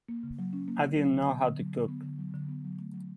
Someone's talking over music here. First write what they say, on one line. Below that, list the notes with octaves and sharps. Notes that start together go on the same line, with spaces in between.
I didn't know how to cook.
A#3
C#3
F#3
C#4
A#3
D3
F#3
D3
B3
D3
F#3
D3
B3
D3
F#3
D3
B3
F#3
A3
F#3